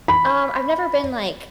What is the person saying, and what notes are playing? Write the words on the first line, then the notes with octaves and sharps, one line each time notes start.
Um, I’ve never been, like
B5